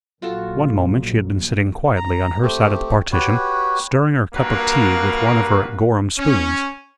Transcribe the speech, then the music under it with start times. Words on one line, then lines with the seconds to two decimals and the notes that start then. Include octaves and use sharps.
One moment she had been sitting quietly on her side of the partition, stirring her cup of tea with one of her Gorham spoons.
0.22 A#1 F#3 F4 F#4 A4
1.97 A#5
2.43 A3 C4 G4
3.12 F#4 G4 B4 C#5
4.33 G2 A#3 F#4 A#4 B4 F5
6.18 C#4